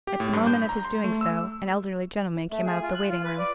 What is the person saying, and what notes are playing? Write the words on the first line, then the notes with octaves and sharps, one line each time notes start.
At the moment of his doing so, an elderly gentleman came out of the waiting-room.
G4
A2
G2
G6
A#5
C6
A3
E6
A3
G#4
F4
F#6
F4
B4
D5